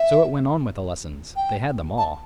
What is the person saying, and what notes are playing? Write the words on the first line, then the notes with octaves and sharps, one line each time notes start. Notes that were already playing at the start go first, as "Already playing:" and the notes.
So it went on with the lessons; they had them all.
Already playing: E5
G5
A5